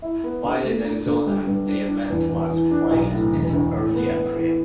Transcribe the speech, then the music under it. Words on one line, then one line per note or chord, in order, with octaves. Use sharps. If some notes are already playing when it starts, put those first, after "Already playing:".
While in Arizona, the event was played in early April.
E4
B3
D3
A3
D4
D3
G3
G2
D4
D4
E2
E2
E3
D4
B1
A2
E1
D2
A2
B3
B3
E3